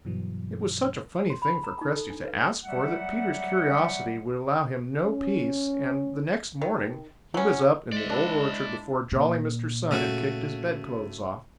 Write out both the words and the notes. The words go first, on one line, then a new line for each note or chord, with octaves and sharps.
It was such a funny thing for Cresty to ask for that Peter's curiosity would allow him no peace, and the next morning he was up in the Old Orchard before jolly Mr. Sun had kicked his bedclothes off.
G2 B2 E3 F#3
C6
B5
A#5
D#4
A4
D4
B4
F#3 G3 A3 E5 F#5
C#4
D#3
F#3 C#4
G#3 D5 E5
D4 E4
A#2
C#3 A3 F#4